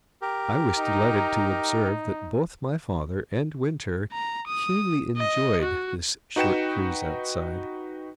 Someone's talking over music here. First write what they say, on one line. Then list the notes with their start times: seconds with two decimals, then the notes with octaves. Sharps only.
I was delighted to observe that both my father and Winter keenly enjoyed this short cruise outside.
0.22 G4 A#4
0.77 D#4
4.12 A#5
4.47 D#6
5.17 D#5
5.62 F#4
6.36 D#4 F#4 B4 G5 C#7 E7